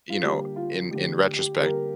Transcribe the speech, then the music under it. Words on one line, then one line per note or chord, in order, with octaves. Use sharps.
you know, in in retrospect,
F4
D3 G3 A#3 G4
F4
D3 A3 G4
G4
G4
D3 G3 A#3 G4 A#4